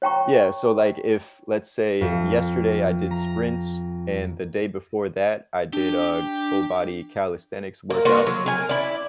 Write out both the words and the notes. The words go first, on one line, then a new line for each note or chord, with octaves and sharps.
yeah, so like if let's say yesterday I did sprints and the day before that I did a full body calisthenics workout.
C#5 G5 A#5 C#6
F2
A#5
D4 G4
A#3
A#3 F4 F#4
F#3
A#4 G#5
E4 D5